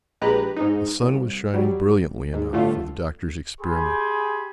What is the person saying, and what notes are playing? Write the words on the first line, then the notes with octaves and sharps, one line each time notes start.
The sun was shining brilliantly enough for the Doctor's experiment.
A#1 G#3 G4 B4 A#5 F#6
G#2 D#4
C2
F#3 G3
G#2
G1 A2 D3 A3 F4
G4 G#4 G#5 B5 C6